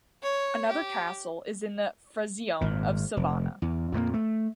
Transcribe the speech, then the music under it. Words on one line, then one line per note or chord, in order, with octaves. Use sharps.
Another castle is in the "frazione" of Sovana.
C#5
G4
G#1 A#2
F1
E2
F2 A#2 F#3 A#3
A3